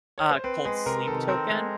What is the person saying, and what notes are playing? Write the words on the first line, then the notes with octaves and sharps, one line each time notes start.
uh, called Sleep Token.
C#5
C5
C4 B4
G#3 B4
C3 A#4
D#3 A4
C4 A#4
G#3